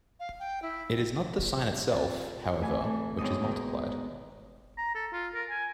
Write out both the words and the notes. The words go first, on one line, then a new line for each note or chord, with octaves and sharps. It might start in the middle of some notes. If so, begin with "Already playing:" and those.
It is not the sign itself, however, which has multiplied.
F5
G5
E4
C4 F4
E3 A3 B4 G#5
E3 A3
D#2 G#2 B2 E3 D#4 D#6
B2 D#3
A#5
A4
F4
A#4
G#5